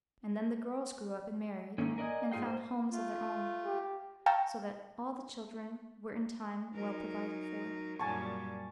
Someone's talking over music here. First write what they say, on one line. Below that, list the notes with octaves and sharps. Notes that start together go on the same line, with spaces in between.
And then the girls grew up and married, and found homes of their own, so that all the children were in time well provided for.
G#2 D#3 A3 A#3 C#4
A#4 D5 D#5 F#5 G#5
G#2 F4 G#4 F5 G5
C5
A3 F4
G4
F5 G5 A5 A#5 C#6 E6
F#3 D#4 A#4
F#2 A#2 G3 G#5 A5 C#6